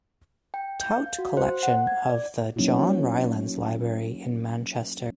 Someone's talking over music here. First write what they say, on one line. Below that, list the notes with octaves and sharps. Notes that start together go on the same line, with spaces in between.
Tout Collection of the John Rylands Library in Manchester.
G5
G6
F5
F#4
C5
F#5
G#6
D5
F#3 A#3 C#4 D#4 E4 F#4